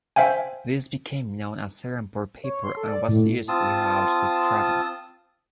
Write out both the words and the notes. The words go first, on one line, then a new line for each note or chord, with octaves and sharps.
This became known as Serampore Paper and was used throughout the province.
C5 E5 F5 G5 G#5
C#5
C6
A4
D5
A2
C4 F4 A5 D#6